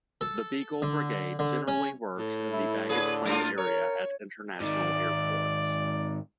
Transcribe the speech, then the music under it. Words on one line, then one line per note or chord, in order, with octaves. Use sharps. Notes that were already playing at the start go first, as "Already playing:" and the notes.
The Beagle Brigade generally works in the baggage-claim area at international airports.
A4
D3
D3
C#4
A2
E4
D3 G#4 B4
A3 D4 F4
A#4 C#5
G#2 D#3 D5